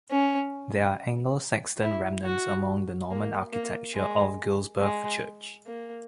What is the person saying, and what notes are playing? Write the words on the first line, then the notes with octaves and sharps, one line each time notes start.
There are Anglo-Saxon remnants among the Norman architecture of Guilsborough church.
C#4
E4
F#4
A#3
A#3
G#3
G#3
A#3